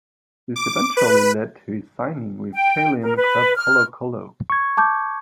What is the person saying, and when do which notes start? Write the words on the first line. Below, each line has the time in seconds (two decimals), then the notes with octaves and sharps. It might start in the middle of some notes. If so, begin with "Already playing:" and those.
This eventually led to his signing with Chilean club Colo-Colo.
0.56 D6
0.97 B4
2.54 G5
3.02 A#4
3.17 B4
3.56 F6
4.50 C#6 G#6
4.77 A5 D6 G6